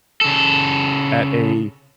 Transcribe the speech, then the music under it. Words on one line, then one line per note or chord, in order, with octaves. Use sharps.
at a,
C#3 A4